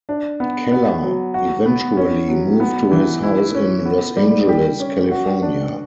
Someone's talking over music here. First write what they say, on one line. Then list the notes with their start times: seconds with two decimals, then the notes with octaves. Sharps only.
Kellar eventually moved to his house in Los Angeles, California.
0.09 D4
0.40 B3
0.72 B3
1.03 F#3
1.34 F#4
1.66 B3
1.97 C#4
2.28 F#3
2.60 B3
2.91 E3
3.23 E4
3.55 C#4
3.86 B3
4.17 G3
4.49 G4
4.80 C#4
5.11 F#4
5.42 D4